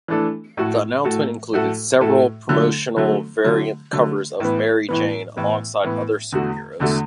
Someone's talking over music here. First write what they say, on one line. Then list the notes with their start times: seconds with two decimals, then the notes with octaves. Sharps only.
The announcement included several promotional variant covers of Mary Jane alongside other superheroes.
0.08 E3 A3 D4 A4
0.57 A2 A3 F#4 A4
1.05 A2 A3 F#4 A4
1.53 A2 A3 F#4 A4
2.01 A2 A3 F#4 A4
2.49 D3 F#3 A3
2.96 D3 F#3 A3
3.44 D3 F#3 A3
3.93 D3 F#3 A3
4.40 A2 E3 B3
4.89 A2 E3 B3
5.37 A2 E3 B3
5.84 A2 E3 B3
6.32 E2 D3 A3 F#4
6.80 E2 D3 A3 F#4